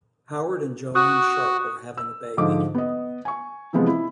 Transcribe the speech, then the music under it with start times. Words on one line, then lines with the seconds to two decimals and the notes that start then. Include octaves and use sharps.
Howard and Joanne Sharp are having a baby.
0.95 F#4 C#6 D#6 F#6
1.97 E6
2.37 G#2 D3 F3 D#5 D6
2.75 B3 D#5
3.25 G#5 C#6
3.73 C3 E3 F3 G#3 B3
3.87 E4